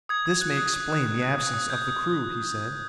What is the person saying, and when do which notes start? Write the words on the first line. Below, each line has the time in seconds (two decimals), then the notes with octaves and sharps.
"This may explain the absence of the crew," he said.
0.09 D#6 G#6
0.25 D#6 G#6
0.41 F#6 G#6
0.57 F#6
0.74 D#6
0.90 D#6
1.06 F#6
1.22 F#6
1.38 D#6
1.54 D#6
1.70 G6 G#6